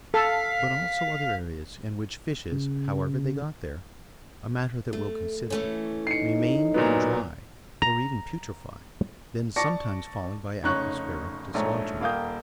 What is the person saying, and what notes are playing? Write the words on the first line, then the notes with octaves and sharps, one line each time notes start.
But also other areas, in which fishes--however they got there: a matter that we'll consider--remain and dry, or even putrefy, then sometimes falling by atmospheric dislodgment.
A4 F5 B6
C#3
A3
E3 A3 C#4
D#4 C7 C#7
A#2 F#3 B3
A#5
D5 A5 C#6 A#6 C#7
F1 C#3 D#4 C#5 C#6 F#6
A#1 G#2 A3 C#5 A#5
D#1 A#3 F5 G5 D#6 G6